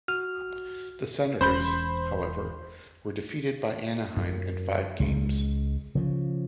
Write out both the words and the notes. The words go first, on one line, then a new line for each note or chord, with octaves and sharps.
The Senators, however, were defeated by Anaheim in five games.
F#4 F6
E1 C#4 C5 B5 G6
F#2
C#2 G#3
C#3 F3